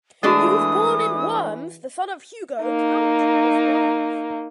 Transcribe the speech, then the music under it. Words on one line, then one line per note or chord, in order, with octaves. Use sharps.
He was born in Worms, the son of Hugo, count of Worms.
E3 G#3 A3 D4 F#4 G#4 D#5 D#6
A#3 D#4